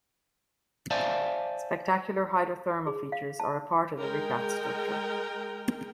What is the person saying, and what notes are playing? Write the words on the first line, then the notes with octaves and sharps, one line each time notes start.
Spectacular hydrothermal features are a part of the Richat Structure.
C5 D5 E5 F5 G#5 A5
G#4
F5
A5
G#3 A#4 G5